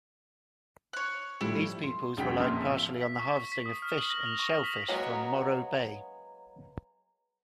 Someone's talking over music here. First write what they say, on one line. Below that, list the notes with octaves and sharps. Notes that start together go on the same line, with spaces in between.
These peoples relied partially on the harvesting of fish and shellfish from Morro Bay.
C#5 F#6
A2 F3 G3 E4
C6
E1 C#3 F#3 G5 B6
A#1 F2 A#2 C6 E6 F6
F4 E5
B6
C#6
B6
D#6
F6
F#7
A#6
F7
C#6
B6
F#3 G#3 A#3 B3 C#4